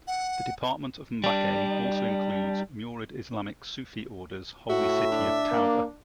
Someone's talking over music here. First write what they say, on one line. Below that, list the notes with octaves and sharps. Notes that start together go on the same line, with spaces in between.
The Department of Mbacke also includes Murid Islamic Sufi order's holy city of Touba.
F#5
G3 D4
A2 F#4 E5
D4
A#3